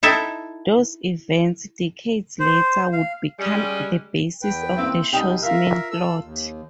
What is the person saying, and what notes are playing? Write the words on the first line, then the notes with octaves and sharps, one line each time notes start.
Those events, decades later, would become the basis of the show's main plot.
D#4 E4 A4 E5 G5
C5
F5
G3 G#3 C#4
E2 B4 G5
A#3 C4 E4
C2 B3 D#4 G5 D#6
F4 A#4 E5 F5 F6
A4 E6
D#2